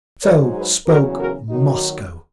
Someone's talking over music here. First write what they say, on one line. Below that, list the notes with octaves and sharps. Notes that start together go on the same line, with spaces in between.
So spoke Moscow....
G#2 F#3 A#4 C#5
G#4 B4
E2 C#3 F#3 F#4 A#4
F#4 A#4
D#2 D#3 F#3 D#4 F#4